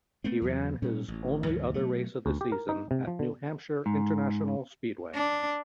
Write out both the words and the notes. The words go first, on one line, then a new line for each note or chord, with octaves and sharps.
He ran his only other race of the season at New Hampshire International Speedway.
A3 B3 C4
E2 F#3
A#2 G3 C#4
A1
D2 G#2 E3 F#3
B2 F#3 A3
D2
G4
A#4
D#4
C3
F3
D3
G#2
D4